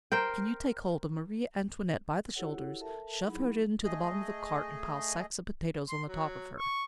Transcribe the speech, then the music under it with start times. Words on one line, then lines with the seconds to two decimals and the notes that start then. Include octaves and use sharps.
Can you take hold of Marie Antoinette by the shoulders, shove her into the bottom of a cart and pile sacks of potatoes on the top of her?
0.12 A#4 C5 G5
2.36 E4 F#4 G4 A4 C#5 F#5
2.80 A4 A#4 E5 A5
3.24 F#3 D#4 E4 G#4 B5
3.84 A3 G#4 D#5
5.89 C6
6.07 F#3
6.58 C#6